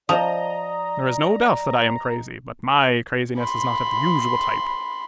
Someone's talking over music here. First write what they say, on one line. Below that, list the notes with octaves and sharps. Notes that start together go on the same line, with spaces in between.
There is no doubt that I am crazy, but my craziness is not of the usual type.
F3 D5 D#5 A#5 D#6
B5 C6